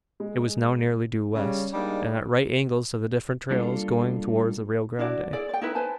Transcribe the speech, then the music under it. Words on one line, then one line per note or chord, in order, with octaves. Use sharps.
It was now nearly due west, and at right angles to the different trails going towards the Rio Grande.
G#3
C#3 G3
G3 G#3 A#3 D4 D#4
G3 A#3 D4 F4 A4
D4 E4 F#4 D5
E4 G#4 D5
D5 G5
D#4 E4 B4
B4 C5 G#5 A5